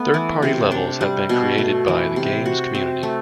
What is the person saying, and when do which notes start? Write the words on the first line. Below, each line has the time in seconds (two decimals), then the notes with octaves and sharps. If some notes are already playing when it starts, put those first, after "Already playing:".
Third party levels have been created by the game's community.
Already playing: A3 B3
0.14 E3
0.42 C3
0.72 D4
1.01 G3
1.29 B2
1.58 A3
1.88 E3
2.16 C3
2.46 F#4
2.75 C4
3.03 A3